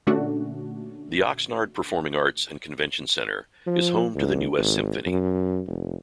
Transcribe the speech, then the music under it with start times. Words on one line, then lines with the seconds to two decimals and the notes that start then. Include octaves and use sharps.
The Oxnard Performing Arts and Convention Center is home to the New West Symphony.
0.07 A#2 D3 A3 C#4 D4 F#4
3.67 F3
4.15 C#2
4.57 G#1
5.06 F#2
5.67 F1